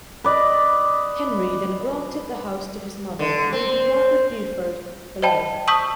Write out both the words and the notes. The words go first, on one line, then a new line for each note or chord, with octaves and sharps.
Henry then granted the house to his mother Lady Margaret Beaufort, for life.
B4 D5 D#5
D3
C4
C5 D5 D#5 G5 A5 B5
A5 C#6 D#6 E6 G6 B6